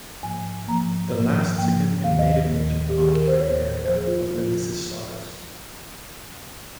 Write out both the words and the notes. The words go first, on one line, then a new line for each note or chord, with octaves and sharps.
The last significant native nation to occupy the area was the Mississaugas.
G#2 F3 A#3 G#5
G#2 F3 A#3 A#5
G#2 F3 A#3
G#2 F3 A#3 G5
D#2 D#3 A#3 F5
D#5
D#5
D#2 D#3 A#3
G4
D#2 D#3 A#3
G#4
A#4
C5
D#2 D#3 A#3 C#5
A#2 F3 A#3 C5
G#4
F4
F4
A#2 F3 A#3 F4